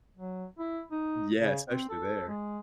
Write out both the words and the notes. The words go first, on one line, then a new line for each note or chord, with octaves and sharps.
Yeah, especially there.
F#3
E4
D#4
C#3
C4
A4
G#3